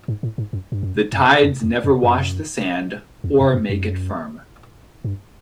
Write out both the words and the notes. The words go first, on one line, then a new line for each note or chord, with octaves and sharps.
The tides never wash the sand or make it firm.
G#2
A2
G#2
F#2
G2
F#2
F#2
F2
E2
F2
F#2
E2
F2
F#2
F#2
G2